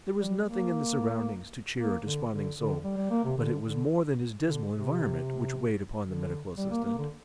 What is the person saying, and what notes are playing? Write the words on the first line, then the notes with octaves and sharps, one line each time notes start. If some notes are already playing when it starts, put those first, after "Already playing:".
There was nothing in the surroundings to cheer a desponding soul, but it was more than his dismal environment which weighed upon the medical assistant.
G3
A#3
A#3
D3
D3
D3
G3
G3
A#3
C3
D3
D3
D3
C3
D3
G3
A#3
A#3
D3